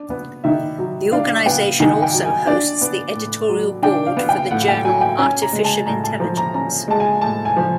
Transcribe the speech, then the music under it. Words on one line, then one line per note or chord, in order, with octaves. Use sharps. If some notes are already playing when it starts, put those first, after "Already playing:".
The organization also hosts the editorial board for the journal Artificial Intelligence.
Already playing: D4
B3
D#3 E5
F#3
D4 F5
B3 G5
D#3 G#5
G5
F#3
G#5
D4 D5
B3
A2
F#3
D4 G5
F5
B3
G5
A2 F#5
F#5
G5
F#3 G#5
G5
C#4 G#5
A#5
G#3
A5
A2 A#5
A5
F3 A#5
A#5
C#4 A#5
G#3 A5
G#5
A2 A5
G#5
F3